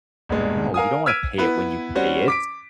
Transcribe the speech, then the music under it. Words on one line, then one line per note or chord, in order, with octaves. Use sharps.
No, you don't want to pay it when you pay it,
E1 G2 A#2 G#3
A#4 F5 G#5 D#6
E6 F6 G#6 B6 D7 D#7
B3 E4 B4
G3 C4 C#4 F#4 C5
D6 B6 D7